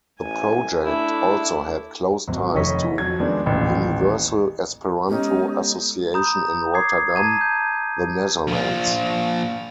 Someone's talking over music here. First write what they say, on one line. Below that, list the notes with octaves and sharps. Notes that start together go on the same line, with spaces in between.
The project also had close ties to Universal Esperanto Association in Rotterdam, the Netherlands.
A1 G#5
A3 D4 E4
G#1 F#3
F1 D#3 C#5 D#5 C#6 B6
F2 F#3 G#6
D#3 F3 G#3 B3 D4
D#1 A1 G5
G#3 B3 C#4 D#4 G4 A4
A#5 B5 D#6 G6
D6 D#6 G#6 C7
A5 A#5 G#6 D#7
A5 G6
A#2 F3